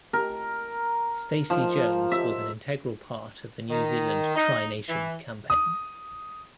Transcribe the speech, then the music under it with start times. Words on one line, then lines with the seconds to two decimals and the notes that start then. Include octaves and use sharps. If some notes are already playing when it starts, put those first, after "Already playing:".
Stacey Jones was an integral part of the New Zealand Tri Nations campaign.
0.13 A#4
1.50 F3
2.12 E5
3.70 D#3
4.36 D#4
4.89 E3
5.50 D#6